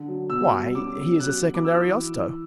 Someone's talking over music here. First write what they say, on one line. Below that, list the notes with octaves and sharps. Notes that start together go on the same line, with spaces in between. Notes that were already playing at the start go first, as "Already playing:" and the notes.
"Why, he is a second Ariosto."
Already playing: D3
F#3
B2 E6
G3
C#4 D6
B2
F#3 F#6
F#3
D6
E4 E6
E3
E4